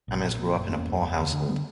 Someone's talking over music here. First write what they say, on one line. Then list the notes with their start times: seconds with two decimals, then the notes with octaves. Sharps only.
Ames grew up in a poor household.
0.08 A#1
0.24 A#1
0.39 A#2
0.55 F#1
0.70 E2 A#3 C#4
0.87 F#1
1.02 E2
1.17 D2
1.33 D3
1.49 D3 G3 B3